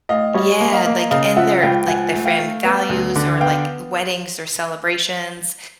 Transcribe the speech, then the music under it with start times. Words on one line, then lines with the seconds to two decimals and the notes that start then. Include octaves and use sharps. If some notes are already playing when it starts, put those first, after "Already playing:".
Yeah, like, in their like, their family values or, like, weddings or celebrations.
0.09 A2 D#5 F5
0.34 G3 C#5 D#5
0.60 A#3
0.73 D#5 F5
0.86 A#3
1.11 C#3 D#5 F5
1.36 F3 E5 F#5
1.62 C#2 F5 G5
1.87 F3 F#5 G#5
2.13 A3
2.26 F5 G5
2.39 A3
2.64 B3
2.89 D2
3.16 D3
3.40 B3 F5 G5